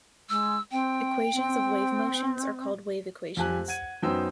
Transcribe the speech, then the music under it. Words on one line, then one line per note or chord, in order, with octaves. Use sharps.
Equations of wave motion are called "wave equations".
G#3 E6
C4 G5
C4
F2 G4 G#5 F#6
F#5 G#6 D#7
F#2 B3 D#4 C5 G5 E6